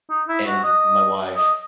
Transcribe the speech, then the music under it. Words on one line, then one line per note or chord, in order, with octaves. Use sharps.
and my wife.
D#4
E4
F#4
D#5
D#5